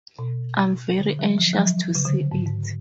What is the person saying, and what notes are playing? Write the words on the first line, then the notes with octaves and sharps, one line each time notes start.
I'm very anxious to see it.
B2
D3
F#3
F3
F#3
F3
C#3
D3
G#2
G#2